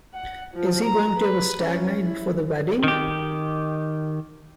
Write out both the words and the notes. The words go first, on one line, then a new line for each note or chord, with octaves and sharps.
Is he going to have a stag night before the wedding?
F#5
F3
A#5
B4
C#4
E4
D#3 G4